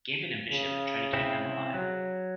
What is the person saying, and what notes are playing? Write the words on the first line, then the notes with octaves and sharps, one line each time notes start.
Gambit and Bishop try to keep them alive.
C#3
C3 C4 E4
F#3